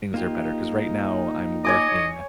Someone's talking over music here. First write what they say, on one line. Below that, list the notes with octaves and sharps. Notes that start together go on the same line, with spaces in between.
things are better. 'Cause right now, I'm working
A#3 D#4 F4 G4
C#5 D#5 G#5 D6